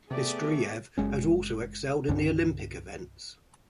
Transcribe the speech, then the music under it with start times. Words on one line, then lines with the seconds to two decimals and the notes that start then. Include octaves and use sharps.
Nestruyev has also excelled in the Olympic events.
0.11 C3 A3 B3 G4 G#4 D5
0.98 F#1 G#3 C#4
2.08 C2 G2 D3 C#4